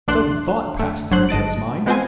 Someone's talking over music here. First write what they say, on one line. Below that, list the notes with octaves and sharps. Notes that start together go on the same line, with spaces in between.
A sudden thought passed through Joe's mind.
B1 E2 A2 D4 C6 F#6
D3 A3
G1 F#3 D4 C5 F#6
G1 D#5 A5 D7
G#3 B3 C4 F4 C5 G#5